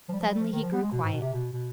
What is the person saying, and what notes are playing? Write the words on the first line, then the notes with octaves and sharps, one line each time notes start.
Suddenly he grew quiet.
F3
G3
F3
G3
F3
D#3
F3
B3
G#3
B2
G#2
B2
C3
B2
B2